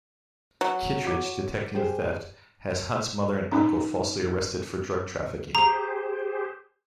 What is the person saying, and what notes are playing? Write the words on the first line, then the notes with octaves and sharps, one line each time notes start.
Kittridge, detecting the theft, has Hunt's mother and uncle falsely arrested for drug trafficking.
F#3
F#4 D6
G4 G#4 C5
C#4 D#4
G4 G#4 C5 A#5